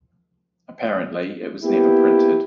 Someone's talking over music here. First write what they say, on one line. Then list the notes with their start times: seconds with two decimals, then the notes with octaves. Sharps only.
Apparently it was never printed.
1.64 A#3 B3 E4 G4